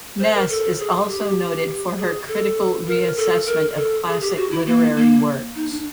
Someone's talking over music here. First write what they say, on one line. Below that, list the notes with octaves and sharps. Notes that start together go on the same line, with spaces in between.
Ness is also noted for her critical reassessment of classic literary works.
C5
A#4
A4
G#4
G4
G#4
A4
A#4
A4
A#4
A4
G#4
G4
F#4
E4
A#3
A#3
D#4
D4